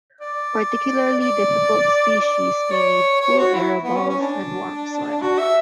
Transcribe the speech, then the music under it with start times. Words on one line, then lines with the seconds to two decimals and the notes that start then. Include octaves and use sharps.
Particularly difficult species may need cool air above and warm soil.
0.20 D5
1.20 D5
2.21 D5
2.71 C#5
3.21 C#5
3.38 F#4
3.54 E4
3.83 B3
3.96 C#4
4.09 C#4
4.20 D4
5.22 F#4
5.38 E5